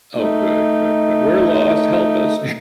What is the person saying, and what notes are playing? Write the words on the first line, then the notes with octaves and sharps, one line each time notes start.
Oh, good, good, good. "We're lost. Help us."
A3 D#4